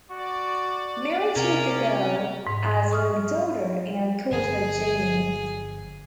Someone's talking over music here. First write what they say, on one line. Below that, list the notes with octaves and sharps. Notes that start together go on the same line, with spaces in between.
Mary took the girl as her daughter and called her Janie.
F#4 D5
C3 C#4 A#4
G#2
C#6 D#6 F6
G1 D3 F3 G#4